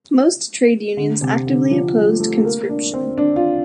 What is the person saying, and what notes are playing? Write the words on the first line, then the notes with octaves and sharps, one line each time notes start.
Most trade unions actively opposed conscription.
D3
C3
D3
F3
G3
A3
A3
A#3
D4
C4
D4
F4